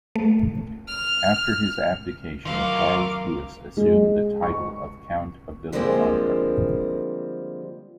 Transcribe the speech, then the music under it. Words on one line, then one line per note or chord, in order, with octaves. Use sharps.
After his abdication Charles Louis assumed the title of Count of Villafranca.
A3
F6
D#3 F#3 A3 F4 A#4 F5 D6
G#3
C#6
D3 F3 G3 G#3 A#3 C4